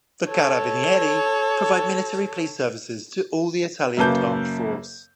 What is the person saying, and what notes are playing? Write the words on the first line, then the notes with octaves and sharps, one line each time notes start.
The Carabinieri provide military police services to all the Italian armed force.
A4 C#5
F#2 C#3 A#3 B4 A5 G6